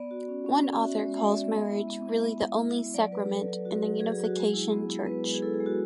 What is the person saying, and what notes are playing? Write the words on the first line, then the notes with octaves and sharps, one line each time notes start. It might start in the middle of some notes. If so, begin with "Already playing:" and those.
One author calls marriage "really the only sacrament" in the Unification Church.
Already playing: B3 D5
F#4
C#4
C#4
C#4
F#4 E5
G#3
G#3 E5
D5
G#3 E5
B3
E4
B3
B3
B3
B3
E4
B3
F#3 D5
F#3 B4
F#3 A4
F#3
F#4
F#3
F#3 G#4
G#4
F#3
F#4
G#3 G#4
E4
B3
E4
B3 B4
G#3
G#4
E4 A4
G#4
G#3
F#4